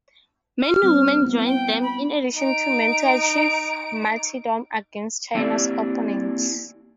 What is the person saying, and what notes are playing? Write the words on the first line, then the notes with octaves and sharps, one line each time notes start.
Many women joined them in addition to men to achieve martyrdom against China's opponents.
F6
G3 C4
B3 E4
G5
B5
D#4 D7
A#3 C4 D4 E4 G4 D5